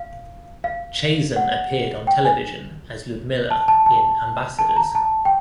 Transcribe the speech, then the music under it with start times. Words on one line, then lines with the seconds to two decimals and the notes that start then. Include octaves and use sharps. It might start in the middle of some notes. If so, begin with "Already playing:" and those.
Chazen appeared on television as Ludmilla in "Ambassadors".
Already playing: F5
0.64 F5
1.36 F#5
2.07 G5
2.25 G#5
3.51 A5
3.68 A5
3.86 A5
4.59 A5
4.76 A#5
4.95 A5
5.25 G5